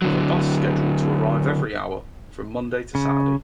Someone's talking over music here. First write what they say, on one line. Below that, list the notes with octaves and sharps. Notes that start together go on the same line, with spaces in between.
With a bus scheduled to arrive every hour from Monday to Saturday.
D3 F#3
C#3